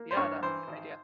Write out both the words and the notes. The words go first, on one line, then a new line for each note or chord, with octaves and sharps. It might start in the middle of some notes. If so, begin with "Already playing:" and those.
Yeah, that's a good idea.
Already playing: A#3
C5
G2 C#5
E3 C5
G#1